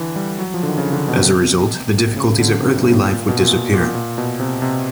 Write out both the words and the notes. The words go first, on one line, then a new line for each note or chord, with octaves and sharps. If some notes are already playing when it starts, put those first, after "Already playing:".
As a result, the difficulties of earthly life would disappear.
Already playing: D3 E3
G3
F#3
F3
D3
D#3
C#3
D3
D3
C#3
B2
C3
C#3
D3
C3
G2
A2
A#2
B2
A#2
B2
A#2
A#2
B2
C3
C3